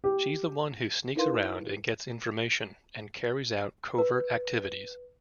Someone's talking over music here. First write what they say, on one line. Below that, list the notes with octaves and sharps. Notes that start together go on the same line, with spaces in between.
She's the one who sneaks around and gets information, and carries out covert activities.
G4
D#4 E4 A#4 B4 F5 C6
B4